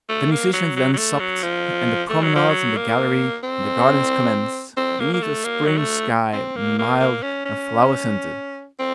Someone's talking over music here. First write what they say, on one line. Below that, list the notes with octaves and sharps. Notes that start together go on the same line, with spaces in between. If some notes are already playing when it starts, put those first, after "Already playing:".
The musicians then supped, and the promenades in the gallery and the gardens commenced, beneath a spring sky, mild and flower-scented.
A3
A#3
F#3
F#3
F#3
A3
F#3
F3
A3
F#3
F3
F#3
A#3
C4
C4
A#3
A#3
A3
A#3
F#3
A3
C4
A#3
A#3
A#3
C#4
C#4
C4